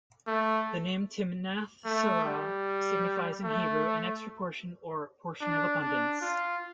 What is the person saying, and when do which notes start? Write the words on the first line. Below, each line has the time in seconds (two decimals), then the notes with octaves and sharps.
The name "Timnath-serah" signifies in Hebrew an "extra portion" or "portion of abundance".
0.27 A3
1.85 A3
2.25 G3
3.44 A3
5.41 D4
5.81 D4
6.21 F4